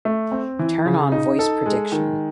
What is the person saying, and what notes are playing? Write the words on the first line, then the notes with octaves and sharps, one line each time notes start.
Turn on voice prediction.
A3
C4
E3
C#3
D#4
A4
G#3
D#3